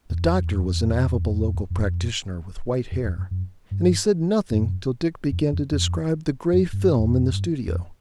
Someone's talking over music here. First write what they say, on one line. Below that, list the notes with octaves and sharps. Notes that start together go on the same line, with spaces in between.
The doctor was an affable local practitioner with white hair, and he said nothing till Dick began to describe the gray film in the studio.
E2
F2
E2
F2
E2
F2
E2
F2
E2
F2
E2
F2
E2
F2
E2
F2
E2
F2
E2
F2
F2
E2
F#2
F#2
G2
F#2
F2
F2
F2
F#2
G2
E2
F2
F#2
G2
E2
F2